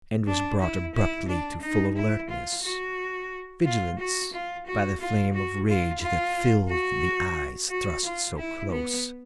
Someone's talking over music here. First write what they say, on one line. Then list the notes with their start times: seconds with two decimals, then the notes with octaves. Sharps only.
And was brought abruptly to full alertness, vigilance, by the flame of rage that filled the eyes thrust so close.
0.27 D4
0.61 E4
0.95 E4
1.28 D4
1.62 D#4
1.96 E4
2.29 F4
2.63 F#4
3.65 F4
3.99 F#4
4.33 F4
4.66 F#4
5.00 F4
5.34 F#4
5.68 F4
6.01 F4
6.69 F#4
7.70 F#4
8.04 F4
8.37 E4
8.71 B3